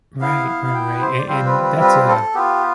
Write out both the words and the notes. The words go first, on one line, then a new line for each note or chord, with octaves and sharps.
Right, ri right an and that's a
B3 E4 F5
F5
F5
G5
B4
C5
D5
G3 C4 F4 C5
B4
B4
B4
B4
A4
B3 F4 G4